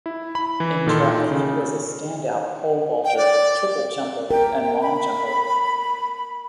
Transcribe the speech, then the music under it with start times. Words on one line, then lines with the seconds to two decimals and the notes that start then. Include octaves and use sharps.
In track, he was a standout pole vaulter, triple jumper, and long jumper.
0.06 E4
0.35 B5
0.60 E3
0.86 A#2 D#3 A4 C6
1.31 C#3
3.05 G5
3.17 D5
4.31 A#4 G5
4.82 B5